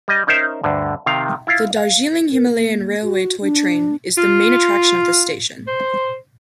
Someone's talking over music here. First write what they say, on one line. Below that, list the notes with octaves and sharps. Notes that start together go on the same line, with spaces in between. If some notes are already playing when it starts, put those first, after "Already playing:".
The Darjeeling Himalayan Railway Toy Train is the main attraction of this station.
G3 D#5
C#4 D#4 A#4 C5 E5
D2 G2 D3
C3 D#3 F5
E4 F4 F5
F5
A#4
A#3
F#4
D4
F4
C5